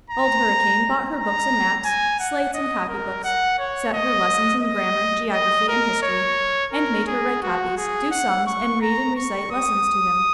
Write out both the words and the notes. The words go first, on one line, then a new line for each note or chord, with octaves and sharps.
Old Hurricane bought her books and maps, slates and copy-books, set her lessons in grammar, geography and history, and made her write copies, do sums and read and recite lessons to him.
A#5
A#5
G#5
F#5
D#5
A#4
F#5
C#5
D#5
D#5
D#5
A#4
C#5
A#4
G#4
F#4
G#4
F#5
C#6
A#5
C#6
D#6